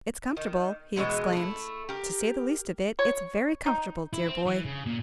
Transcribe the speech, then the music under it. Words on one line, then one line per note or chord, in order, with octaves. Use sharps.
"It's comfortable!" he exclaimed; "to say the least of it, it's very comfortable, dear boy!"
D#3
B2 E3 G#3 B3
A3 E4
G4 A#4
C#5
D#4
E4
C4
E3
C#3
A#2